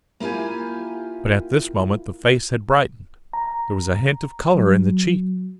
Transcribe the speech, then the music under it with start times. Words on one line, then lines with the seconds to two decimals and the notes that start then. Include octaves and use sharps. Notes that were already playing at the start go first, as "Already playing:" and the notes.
But at this moment the face had brightened, there was a hint of colour in the cheeks.
0.20 A#3 E4 F4 G4 G#5
3.33 A#5
4.55 F#3